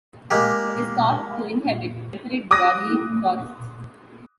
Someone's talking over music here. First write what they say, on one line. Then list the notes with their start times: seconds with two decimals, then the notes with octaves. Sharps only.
It is thought to inhabit temperate broadleaf forests.
0.31 G#3 A#3 G4
2.51 D6 D#6 F#6 A#6